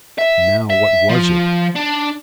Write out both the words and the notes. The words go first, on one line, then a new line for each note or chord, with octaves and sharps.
"Now, what was it?"
E5
E5
F3
D4